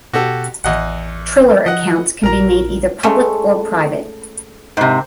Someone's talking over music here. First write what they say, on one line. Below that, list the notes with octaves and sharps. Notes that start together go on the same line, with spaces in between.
Triller accounts can be made either public or private.
B2 F#4 G4 A4
A1 E2 D#5 F#5
F3 D#5 F#5
A#1 A#4 A#5
G#3 A3 C#4
G#2 C3 C5